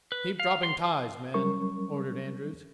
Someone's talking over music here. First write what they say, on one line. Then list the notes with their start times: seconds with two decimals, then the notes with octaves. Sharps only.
"Keep dropping ties, men," ordered Andrews.
0.12 B4
0.40 F5
0.63 C6
1.34 F#3 G3 C#4 A#4 C#6